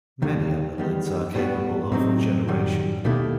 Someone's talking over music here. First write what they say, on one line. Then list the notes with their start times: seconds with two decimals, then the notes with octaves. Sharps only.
Many annelids are capable of regeneration.
0.22 D#2 D#3 G3
0.78 E2 D#3 G3
1.35 A2 G3 B3 F#4
1.92 A2 C3 F#3 C4 D#4
2.48 F#2 D#3 G3
3.05 D#2 B2 D#3 A3 E4 G4